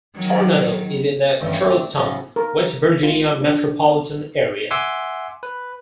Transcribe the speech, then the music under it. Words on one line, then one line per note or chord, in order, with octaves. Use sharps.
Tornado is in the Charleston, West Virginia metropolitan area.
D#3 F#3
E2 G2 C#3 A3 G5
A3 C4 D4
A2 C#3 F3 F#3
A#4
F4
D4
E5 F#5 G#5 C6 D6 E6
B4